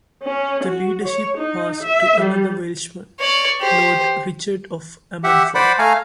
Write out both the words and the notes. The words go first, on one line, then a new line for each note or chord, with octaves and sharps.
The leadership passed to another Welshman, Lord Richard of Ammanford.
C#4
F#4
C#5
D#4
E5
G3
C#5 D5
G4 C5
G4 E5 F#5
C5 D5 F#5 B5
A3 F5 G#5 A#5